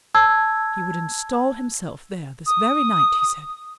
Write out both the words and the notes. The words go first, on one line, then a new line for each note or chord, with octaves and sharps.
He would install himself there this very night, he said.
A5 E6 G#6
D#6